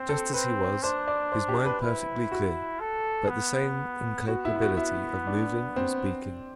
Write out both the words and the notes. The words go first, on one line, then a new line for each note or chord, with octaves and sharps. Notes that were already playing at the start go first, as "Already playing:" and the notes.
"Just as he was, his mind perfectly clear, but the same incapability of moving or speaking."
Already playing: C4 C5
A4
C4 B4
D4 C5
D5
C5
G4
B4
E4 B4
F#4
A4
B3
B3 F#4
E4
E4
F#4
E4
D4
C4